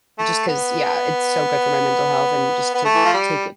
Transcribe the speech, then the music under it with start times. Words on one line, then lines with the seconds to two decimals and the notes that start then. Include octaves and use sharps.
just 'cause, yeah, it's so good for my mental health and just to take a
0.18 A3
0.47 B3
2.74 B3
2.85 A3
2.95 E3
3.05 F3
3.14 G3